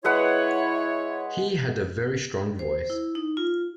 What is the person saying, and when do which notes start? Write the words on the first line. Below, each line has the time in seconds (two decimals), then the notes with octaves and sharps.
He had a very strong voice.
0.04 G#3 E4 B4 C#5 F#5
2.59 C5
2.90 E4
3.15 D#4
3.37 F4